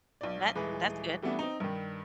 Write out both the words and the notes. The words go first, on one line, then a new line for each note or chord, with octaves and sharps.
That that's good.
B1 D5
D#1 E3 G#3 B4
E3 G3 A3 B3 D4
C4 D#4
G2 D#3